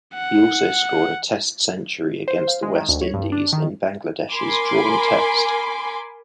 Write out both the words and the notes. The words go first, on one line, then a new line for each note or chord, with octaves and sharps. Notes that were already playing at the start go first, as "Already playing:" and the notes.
He also scored a Test century against the West Indies in Bangladesh's drawn Test.
F#5
C5
F5
G#3
D#3
D2
C#5
G2
D4
D#3
A#4 G#5 B5 C6 D6